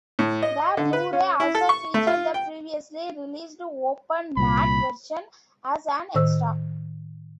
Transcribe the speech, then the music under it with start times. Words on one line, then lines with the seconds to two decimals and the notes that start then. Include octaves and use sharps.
The Blu-ray also featured the previously released open matte version as an extra.
0.19 A2
0.43 D#5
0.77 D3
0.93 B4
1.13 C#4
1.40 E4
1.55 A4
1.69 C#6
1.94 A3
2.07 F4
2.34 G5
4.37 C2 A#2 B5
6.14 A2 D#3 C5 E6